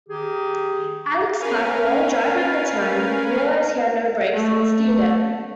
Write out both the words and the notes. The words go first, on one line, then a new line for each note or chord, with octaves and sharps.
Alex Blackwell, driver at the time, realized he had no brakes, and steered it.
D#3 G4 G#4
C#4 A#4 B4 F5 G#5
A3